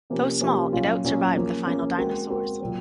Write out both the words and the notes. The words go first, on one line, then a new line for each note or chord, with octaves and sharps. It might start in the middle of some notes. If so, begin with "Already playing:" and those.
Though small, it outsurvived the final dinosaurs.
C3 F3 A#3 C#4
C3 F3 A#3 C#4
A#2 F#3 C#4 F4
A#2 F#3 C#4 F4
F3 A#3 C#4 G#4
F3 A#3 C#4 G#4
G#3 C4 F#4 A#4
G#3 C4 F#4 A#4
A#2 F#3 C4